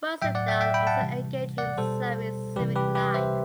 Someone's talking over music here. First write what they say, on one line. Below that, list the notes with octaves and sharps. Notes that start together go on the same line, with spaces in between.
Rosendahl also engaged himself in civic life.
A2 F#3 E5 G5
D5 F#5
E5 G5
E5 G5
G5 B5
F#5 A5
C3 E3 G3
D5 F#5
B2 G3 A4 C5
C3 E3 G3 G4 B4
G4 B4
G4 B4
C5 E5